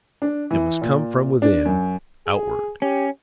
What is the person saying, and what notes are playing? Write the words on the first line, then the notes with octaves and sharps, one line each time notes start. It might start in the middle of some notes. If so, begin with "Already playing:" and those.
It must come from within, outward.
D4
E3
A#2
D4
F#2
G#4
C#4 G4